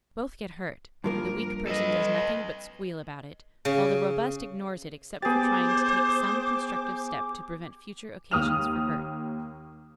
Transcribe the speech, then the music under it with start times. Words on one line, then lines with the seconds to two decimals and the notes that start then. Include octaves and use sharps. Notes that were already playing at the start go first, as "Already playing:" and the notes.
Both get hurt, but the weak person does nothing but squeal about it, while the robust ignores it except for trying to take some constructive step to prevent future occasions for hurt.
1.04 G2 F3 A#3 A#4
1.68 A4 B4 D#5
3.65 C#3
5.22 B3 G4 G#4 C5 D6 A6
8.31 D#2 D#6 F6 F7